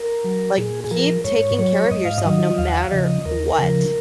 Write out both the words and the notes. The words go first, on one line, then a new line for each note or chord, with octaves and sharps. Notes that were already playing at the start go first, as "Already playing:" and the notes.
Like, keep taking care of yourself no matter what,
Already playing: A#4
F#3
A#2 G#4
G#4
F3 A#4
G#2 C#5
F#3 C#5
G#2 D#5
F5
D#5
D#3 F#3
D#2 F5
F#5
F5
C#3 F3 D#5
D#2 A#4
C#3 F3